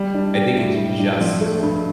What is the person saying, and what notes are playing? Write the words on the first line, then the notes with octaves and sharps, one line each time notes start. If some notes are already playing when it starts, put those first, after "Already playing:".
I think it's just
Already playing: G3
D4
G4
A2
G3
D4
F3
A3
G2